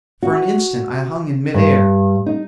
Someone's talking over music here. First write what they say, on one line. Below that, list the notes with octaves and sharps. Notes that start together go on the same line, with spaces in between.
For an instant I hung in mid air.
F#4
G2
D#4